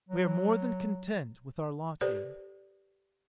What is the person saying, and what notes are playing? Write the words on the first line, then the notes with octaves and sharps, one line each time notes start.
We are more than content with our lot here.
F#3
G4 A4 B4 C5 D5